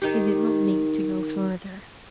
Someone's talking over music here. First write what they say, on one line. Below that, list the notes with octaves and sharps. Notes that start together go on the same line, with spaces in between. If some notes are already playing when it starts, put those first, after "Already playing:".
He did not need to go further.
D#3 D#4 G4